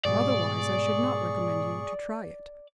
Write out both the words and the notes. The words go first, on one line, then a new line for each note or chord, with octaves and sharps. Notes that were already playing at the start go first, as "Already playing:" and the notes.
Otherwise I should not recommend you to try it.
G#2 B2 G3 G#4 D5 C#6